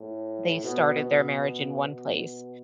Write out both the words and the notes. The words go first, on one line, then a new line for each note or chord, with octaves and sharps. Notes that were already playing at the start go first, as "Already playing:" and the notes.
they started their marriage in one place.
Already playing: A2
B2
B2
B2
B2